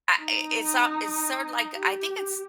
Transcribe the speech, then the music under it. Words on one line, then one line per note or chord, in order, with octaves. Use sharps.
I i it's so it's sorta like, I think it's
D#4
G4